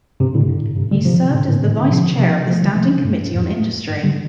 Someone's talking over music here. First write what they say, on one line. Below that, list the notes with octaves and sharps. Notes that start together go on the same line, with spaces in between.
He served as the Vice-Chair of the Standing Committee on Industry.
G2 C3
A2 D3
G2
G2 C3
D3 G3
C3 F3
A2 D3
A2 D3
A2 D3
C3 F3
C3 F3
F3 A3
D3 G3
C3 F3
G2
F2 A2
G2
D3 G3